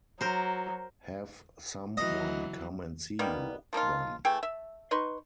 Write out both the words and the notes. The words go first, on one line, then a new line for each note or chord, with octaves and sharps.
Have some one come and see you, then.
F#3 A#4 C5
E3 F#3 D#5
D#3 G3 A#3 B3
F3 A#3 D#4 F4
E3 A3 G#4 G5
E5
D#4 B4 C6 C#6